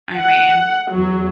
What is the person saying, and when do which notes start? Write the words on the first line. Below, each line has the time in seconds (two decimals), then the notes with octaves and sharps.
I mean
0.18 F#5
0.91 E2 F#3